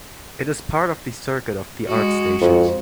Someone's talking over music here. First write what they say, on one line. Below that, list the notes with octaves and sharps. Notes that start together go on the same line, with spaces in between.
It is part of the circuit of the art stations.
G#3 F#4
F2